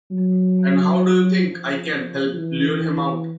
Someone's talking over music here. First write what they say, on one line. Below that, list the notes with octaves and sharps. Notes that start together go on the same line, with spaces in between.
And how do you think I can help lure him out?
F#3
F3
E3